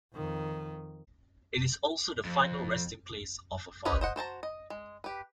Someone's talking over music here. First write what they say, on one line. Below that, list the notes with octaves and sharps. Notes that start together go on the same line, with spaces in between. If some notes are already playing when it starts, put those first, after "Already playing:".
It is also the final resting place of her father.
F2 D#3
F2
C#4 G#4 B4 C5 D#5
C5 D#5 F#5
F#4 C5 A5 A#5
D#5
G#3
G4 B4